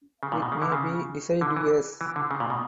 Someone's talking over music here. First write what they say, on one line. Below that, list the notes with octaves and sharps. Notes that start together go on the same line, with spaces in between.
It may be deciduous.
C#3
A#2
B2
C#3
D3
C#3
D3
E3
E3
D3
C#3
A#2
B2